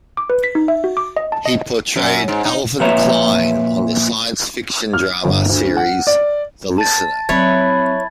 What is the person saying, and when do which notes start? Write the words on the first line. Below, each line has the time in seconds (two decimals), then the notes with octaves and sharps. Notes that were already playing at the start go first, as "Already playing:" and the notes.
He portrayed Alvin Klein on the science fiction drama series "The Listener".
0.17 D6
0.30 B4
0.44 B6
0.55 D#4
0.68 E5
0.84 F#4
0.97 D6
1.17 D#5
1.32 A5
1.46 D#5
1.96 F#2
2.28 G#2
2.45 D#4
2.80 A#2 F3 B4 C#5 E5 A#5
4.93 F6
5.24 G1
5.49 D2
5.77 F#5
6.07 D5
6.78 A5 A6
7.29 F#3 C4 E4 B4 C#5 G#6 A6